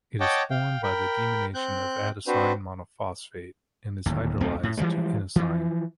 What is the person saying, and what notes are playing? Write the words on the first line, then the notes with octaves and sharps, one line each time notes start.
It is formed by the deamination of adenosine monophosphate, and is hydrolysed to inosine.
C#5 D#5 F#5 G5 A5 D6
F5 G5
A#4 G5 B5
C4 F#6 G6
C4 D4 F#4 B4 C5
D1 D#2
D1 B1 A3 C4
A2
E3 F3 G3 G#3
E3 F3